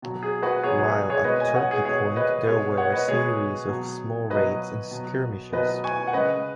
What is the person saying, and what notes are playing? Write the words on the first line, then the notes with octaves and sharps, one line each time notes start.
While at Turkey Point there were a series of small raids and skirmishes.
B2 F#3
G#4
F#4 B4
B2 F#3 G#4 C#5
G#4 C#5
G#4 C#5
B2 G#3 B4 D#5
D#5 G#5
C#5 F#5
G#4
B2 G#3 G#4 C#5
B4 D#5
B2 G#3 G#4 C#5
C#5 F#5
B4 D#5
B2 G#3 G#4 C#5
B2 F#3
B2 F#3 B4 D#5
B2 F#3
B2 F#3 B4 D#5
G#5 C#6
F#5
C#3 G#3 B4 D#5